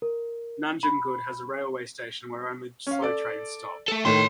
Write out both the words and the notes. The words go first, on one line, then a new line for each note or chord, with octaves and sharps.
Nanjangud has a railway station where only slow trains stop.
A#4
B5
C#4 F5
A4 D5
A3 A4
A2 D#3 A3 C#5 C6